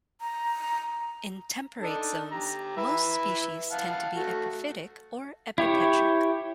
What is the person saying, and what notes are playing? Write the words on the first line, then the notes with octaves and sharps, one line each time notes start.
In temperate zones, most species tend to be epiphytic or epipetric.
A#5
D4 D#4 A4
G4 A#5
E4 B4 E5
F5 F#5 A5
A3 F#4
E4 G4 C#5